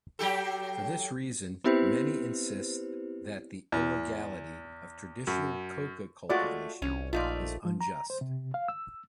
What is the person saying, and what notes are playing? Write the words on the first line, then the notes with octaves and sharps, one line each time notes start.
For this reason many insist that the illegality of traditional coca cultivation is unjust.
F#3 G4 A4
B3 C4 E4 G4 B4 C5
E2
F#2
G#3 A3 F4 F#4 D5
C2 C#4
A#1 A3 D#4 F4 D5
F3
A#5
C5
C3
F5
E6